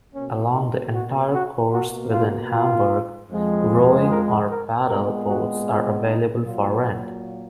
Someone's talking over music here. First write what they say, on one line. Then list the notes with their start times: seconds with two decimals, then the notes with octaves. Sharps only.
Along the entire course within Hamburg, rowing or paddle boats are available for rent.
0.13 B2 A#3 C#4
0.52 D#4
0.92 F#4
1.32 F#4
1.71 B2 A#3 F#4
2.11 F4
2.50 F4
3.30 F2 F3 G#3
4.09 A#4
4.47 A#4
4.87 A#2 G#3 B3 A#4
5.27 F#4
5.67 F4
6.05 D#4
6.45 A#2 F#3 A#3 F4